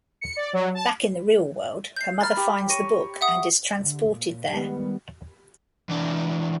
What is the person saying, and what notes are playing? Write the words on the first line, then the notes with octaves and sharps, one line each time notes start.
Back in the real world her mother finds the book and is transported there.
C#7
D5
F#3
A5
G6 C7
A#5 B5 F6 A6
G4 G5
C#5 A#6 D#7
E5 F#5 D#6
D3
A#2
D#3 G3 G#3 B3
E2 D4